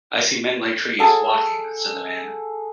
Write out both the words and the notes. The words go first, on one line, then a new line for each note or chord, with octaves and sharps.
"I see men like trees, walking," said the man.
G#4 A4 F#5